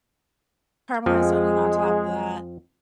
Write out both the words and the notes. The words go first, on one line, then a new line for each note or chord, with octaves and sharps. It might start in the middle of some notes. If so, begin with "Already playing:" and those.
caramelized onion on top of that
F2 F3 G#3